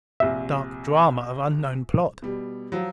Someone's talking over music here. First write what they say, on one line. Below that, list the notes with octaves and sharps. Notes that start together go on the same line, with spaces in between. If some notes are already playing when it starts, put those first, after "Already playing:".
Dark drama of unknown plot!
A#1 C3 E5
B2 G3
F3 F#3